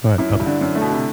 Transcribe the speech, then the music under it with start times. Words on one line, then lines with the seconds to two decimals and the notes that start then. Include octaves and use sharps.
Alright, bye-bye.
0.18 F#2 E4
0.40 G2
0.46 D3
0.61 F#2
0.75 A3
0.81 B2
0.92 C3